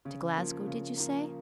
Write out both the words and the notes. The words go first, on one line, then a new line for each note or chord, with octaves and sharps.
To Glasgow, did you say?
C#3
F3 A#3
C#3
F3 A#3